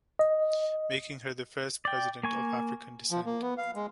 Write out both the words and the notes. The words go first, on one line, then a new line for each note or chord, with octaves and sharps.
Making her the first President of African descent.
D#5
D5 G5
A#3 G#5 C#6
F3
A#3
B3
F5
G#3